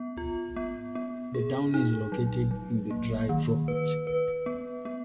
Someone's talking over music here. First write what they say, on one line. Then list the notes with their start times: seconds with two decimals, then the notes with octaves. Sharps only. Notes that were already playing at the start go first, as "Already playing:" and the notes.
The town is located in the dry tropics.
Already playing: B3
0.17 F4
0.56 B3
0.95 B3
1.34 G#4
1.74 D#4
2.12 F#3
2.51 F#3
2.91 A#3
3.29 D#3
3.68 B4
4.07 B4
4.46 B3
4.85 B3